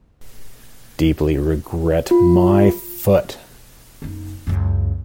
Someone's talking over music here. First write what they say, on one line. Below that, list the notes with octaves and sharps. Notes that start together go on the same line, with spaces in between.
Deeply regret, my foot.
F4
F#1 D#4
C#2 F#2